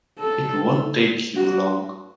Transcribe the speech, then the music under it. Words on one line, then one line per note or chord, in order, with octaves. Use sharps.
It won't take you long.
A4
F#4